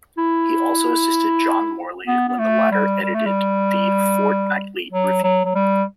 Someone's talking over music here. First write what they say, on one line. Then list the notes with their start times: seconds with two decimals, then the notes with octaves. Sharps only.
He also assisted John Morley, when the latter edited the "Fortnightly Review".
0.18 E4
2.08 B3
2.28 B3
2.39 A3
2.72 G3
3.02 G3
3.14 A3
3.26 G3
4.92 F#3
5.24 F#3
5.45 F#3
5.55 G3